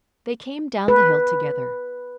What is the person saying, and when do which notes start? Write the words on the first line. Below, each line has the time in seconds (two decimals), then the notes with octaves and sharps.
They came down the hill together.
0.88 B4